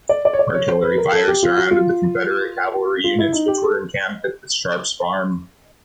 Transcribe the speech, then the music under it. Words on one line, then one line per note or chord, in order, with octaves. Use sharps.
Artillery fire routed the Confederate cavalry units, which were encamped at the Sharp's farm.
D5
D5
C#5
D5
C#5
C5
B4
A#4
A4
G4
F4
F#4
F4
F4
E4
D#4
G4
A4